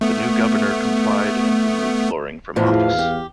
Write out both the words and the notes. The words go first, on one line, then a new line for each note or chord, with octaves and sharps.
The new governor complied and removed Loring from office.
A3 B3
E2 A2 E3 F3 F5
G4